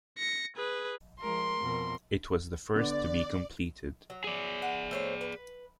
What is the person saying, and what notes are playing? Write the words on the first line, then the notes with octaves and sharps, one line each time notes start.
It was the first to be completed.
A#6 C#7
G#4 B4
F3 G#3 A#4 C6
F2 B2 A#4
D3 B3 D5
F#3
G#4 D5
F#5
A3 C5 C#5
B4